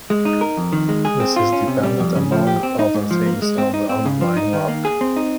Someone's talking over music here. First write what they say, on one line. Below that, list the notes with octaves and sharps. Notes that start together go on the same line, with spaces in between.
This is dependent, among other things, on the underlying rock.
G#3
D#4
A#4
F2
D#3
G#3
G#4
C4
F4
C#4
C3
G3
F2
C#3
F3
G4
C4
D#4
G#2
F3
A#3
G#3
C4
D#4
C4
C#3
F3
D#4
D#3
A#3
G#4
C4
D#4